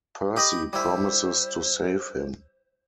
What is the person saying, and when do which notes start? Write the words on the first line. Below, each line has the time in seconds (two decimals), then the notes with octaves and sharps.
Percy promises to save him.
0.36 G4 D#5 B5
0.73 G3 E4 C5